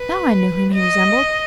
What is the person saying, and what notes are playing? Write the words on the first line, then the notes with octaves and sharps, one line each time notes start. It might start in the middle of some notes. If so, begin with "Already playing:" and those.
Now I knew whom he resembled.
Already playing: B4
D#5